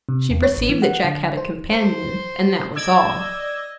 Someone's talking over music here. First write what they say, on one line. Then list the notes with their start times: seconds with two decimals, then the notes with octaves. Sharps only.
She perceived that Jack had a companion, and that was all.
0.09 C3
0.30 E2
0.44 C#5
0.57 A1
0.69 E3
0.82 F#5
1.04 D3
1.37 C5
1.70 C5
2.75 D5 D#5 E6 G#6